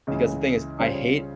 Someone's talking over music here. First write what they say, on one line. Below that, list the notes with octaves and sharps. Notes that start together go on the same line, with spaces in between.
because the thing is, I hate
C#2 C#3 E3
C#3 G3 C#4 F4 C5